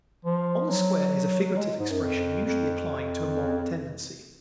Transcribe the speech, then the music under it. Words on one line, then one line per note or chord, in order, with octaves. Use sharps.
"On the Square" is a figurative expression usually applying to a moral tendency.
F3
F#3
G#3
G#2
F#2
F2
F2